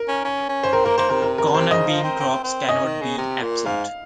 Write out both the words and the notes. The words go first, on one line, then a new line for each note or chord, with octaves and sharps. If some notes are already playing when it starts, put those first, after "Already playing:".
Corn and Bean crops can not be absent.
Already playing: A#4
C#4
C#4
C#4
C5
C4 A#4
A#3 A#4
A#3 C5
C3 A#4
A#4
A#4
C5
C3
C#3 D#5
F3
C4
C4
C4
C#4 D#5
D#3
C#3
C3
A#2
G#2 F5